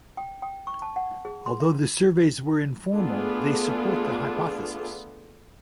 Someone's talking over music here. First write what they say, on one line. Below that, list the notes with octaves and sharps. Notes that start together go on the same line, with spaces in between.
Although the surveys were informal, they support the hypothesis.
G5
G5
C#6
A5
F#5
G#4
C6
E5
A3 B3 D4 F4 G#4 A4